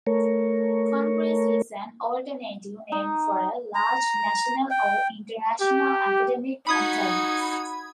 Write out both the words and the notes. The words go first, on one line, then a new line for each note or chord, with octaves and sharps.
Congress is an alternative name for a large national or international academic conference.
A3 A#4 C#5
D#4
A#5
G5
G4
D#4 F#4 B5 D#6 G#6